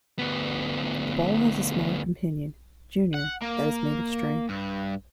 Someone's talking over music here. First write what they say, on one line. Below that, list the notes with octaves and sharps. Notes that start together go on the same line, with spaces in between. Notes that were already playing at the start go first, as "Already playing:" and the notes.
The ball has a smaller companion, "Junior", that is made of string.
D2 B3
F#5
A#3
G2